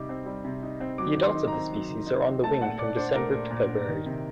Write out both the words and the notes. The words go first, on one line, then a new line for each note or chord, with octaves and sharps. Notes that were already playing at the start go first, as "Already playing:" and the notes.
The adults of the species are on the wing from December to February.
Already playing: C3 G3 D#4 D6
C4
G3
C3
D#4
C4
F#3 D6
D#3
C6
D#4
C4 A#5
F#3
D#3
D#4
C4
A3 A5
A#2 F#5
A#2 D5
D4 C5
A3 A#4
A#2
A#2
D4
D#3
C3